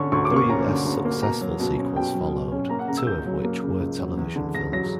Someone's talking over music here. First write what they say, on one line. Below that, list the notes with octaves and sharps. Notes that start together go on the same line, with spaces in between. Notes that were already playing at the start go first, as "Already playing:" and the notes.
Three less successful sequels followed, two of which were television films.
Already playing: D3 C#4 C#6
D2 C#6
D6
A#3
C#6
C#4 A#5
D3
D2
A#3
B2 A#5
F#3
B2
C#4
B2 G5
F#3
B2
C#4
A#3 A#5
F#5
C#3 A#5
E6
C#2 G6
F#3
A#3
C#3
C#2
F#3
E2
D3
E2 A#6
F#3 A#6